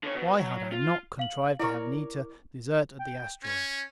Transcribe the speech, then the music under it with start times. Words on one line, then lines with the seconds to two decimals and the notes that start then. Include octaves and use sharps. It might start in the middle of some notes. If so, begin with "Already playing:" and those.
Why had I not contrived to have Anita desert at the asteroid?
0.04 D3 C#5
0.16 B2
0.40 F#3
0.72 F4
1.19 F5 F#7
1.59 E4 A#4 C#5 D5 C#6
2.99 G5
3.43 C#4 G#6